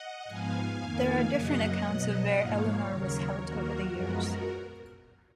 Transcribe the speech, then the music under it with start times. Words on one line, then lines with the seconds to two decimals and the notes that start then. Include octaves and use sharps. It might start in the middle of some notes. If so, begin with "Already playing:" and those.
There are different accounts of where Eleanor was held over the years.
Already playing: D#5 F#5
0.26 G#2 F3 B3 F5 G#5
0.78 F2 D#3 A#3
1.30 F#2 C#3 F#3 A#3 D#5 F#5
1.83 B2 F#3 B3
2.34 G#2 F3 A#3 C#5 F5
2.87 D#2 C#3 F#3 A#4 C#5
3.39 D#2 D#3 A#3 F#4 A#4
3.91 F#2 F3 G#3 B3